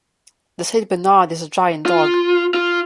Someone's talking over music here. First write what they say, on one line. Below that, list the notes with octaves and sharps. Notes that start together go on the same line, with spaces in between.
The Saint Bernard is a giant dog.
F4
F4